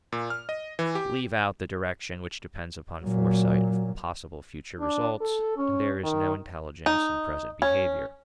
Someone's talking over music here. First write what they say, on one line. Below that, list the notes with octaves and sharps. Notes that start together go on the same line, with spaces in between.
Leave out the direction which depends upon foresight of possible future results, and there is no intelligence in present behavior.
A#2
F6
D#5
E3
G4
A#2 F#3
D4
A4
C#4
D#3
D#4
C#4